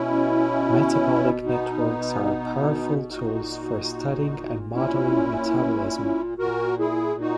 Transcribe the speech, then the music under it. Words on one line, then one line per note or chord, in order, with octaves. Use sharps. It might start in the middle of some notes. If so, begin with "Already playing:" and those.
Metabolic networks are powerful tools for studying and modelling metabolism.
Already playing: B2 C#4 E4
B3 D#4
A#2 D#4 F#4
C#4 E4
A#2 F#4 A#4
E4 G#4
D#4 F#4